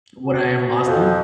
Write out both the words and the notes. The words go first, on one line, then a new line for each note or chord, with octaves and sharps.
Would I have lost them?
F#4
F2